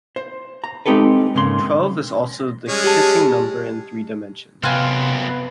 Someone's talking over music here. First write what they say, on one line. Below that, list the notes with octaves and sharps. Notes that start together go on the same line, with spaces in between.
Twelve is also the kissing number in three dimensions.
C5
A#5
G#3 C4 D#4 G4 A4 B4
G#2 C#3 A#3 C6
G3 G#3 C#4
G4 A5
F#2 C3 B3 C4 F4 F#5 G#5